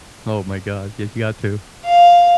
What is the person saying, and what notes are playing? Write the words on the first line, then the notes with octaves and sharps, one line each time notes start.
Oh, my god, ye you got to.
F5